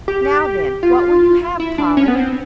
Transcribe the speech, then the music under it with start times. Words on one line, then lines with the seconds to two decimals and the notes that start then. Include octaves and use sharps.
"Now, then, what will you have, Polly?"
0.08 G4
0.83 F4
1.60 E4
1.78 D4
1.97 C#4
2.08 B3
2.15 C4